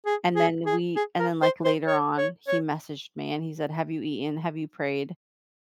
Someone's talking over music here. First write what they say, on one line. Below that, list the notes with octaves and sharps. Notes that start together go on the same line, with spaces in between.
and then we and then, like, later on he messaged me and he said, "Have you eaten? Have you prayed?"
G#4
G#4
G#4
G#4
A#4
C5
C5
C#5
C#5
C#5